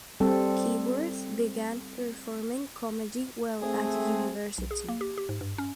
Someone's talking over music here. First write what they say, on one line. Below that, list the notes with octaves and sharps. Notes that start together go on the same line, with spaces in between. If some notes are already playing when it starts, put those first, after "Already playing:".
Keyworth began performing comedy while at university.
G3 C4 A4
A3 C4 G#4
B1
G#4
A#3
G4
G4
G#2
G2
C#4